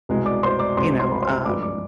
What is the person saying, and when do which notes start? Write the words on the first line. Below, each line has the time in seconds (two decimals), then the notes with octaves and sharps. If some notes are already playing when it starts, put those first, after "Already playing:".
you know, um
0.09 C2 B2 G#3
0.26 D5 D6
0.43 C5 C6
0.59 D5 D6
0.77 C2 B2 G#3 C5 C6
0.99 C5 C6
1.12 B5
1.22 C5 C6
1.45 G2 F3 G#3 D5 D6
1.62 D5 D6